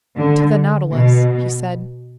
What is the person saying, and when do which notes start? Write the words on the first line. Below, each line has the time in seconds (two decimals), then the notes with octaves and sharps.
"To the Nautilus," he said.
0.16 D3
0.91 B2